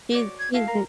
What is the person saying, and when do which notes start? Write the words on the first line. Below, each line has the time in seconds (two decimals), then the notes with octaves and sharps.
She's she's n
0.12 F#4 C#5 D5
0.39 G#6
0.54 E4 F#4 A4 F5
0.68 A#4